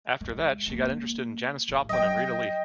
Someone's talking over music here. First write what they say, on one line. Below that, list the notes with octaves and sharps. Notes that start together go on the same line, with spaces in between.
After that, she got interested in Janis Joplin and Rita Lee.
G#3
G#3 A#3
A1
F#3 D#5 G5